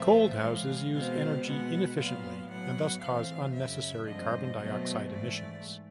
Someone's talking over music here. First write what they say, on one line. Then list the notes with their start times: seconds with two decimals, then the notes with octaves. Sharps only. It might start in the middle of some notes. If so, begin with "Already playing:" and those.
Cold houses use energy inefficiently and thus cause unnecessary carbon dioxide emissions.
Already playing: A#2 F3 A3 C4 E5
0.41 A2 E3 G#3 F5
0.93 B2 G#3 C4 F5
1.45 B2 G#3 B3 F#5
1.97 A#2 F#3 B3 F5
2.49 A2 F#3 B3 F#5
3.02 A2 E3 A3 C4 F5
3.53 F#2 C#3 F#3 E5
4.05 G2 D3 F3 G#3 C4 D#5
4.59 B2 F#3 A3 C4
5.10 G#2 E3 A3 D5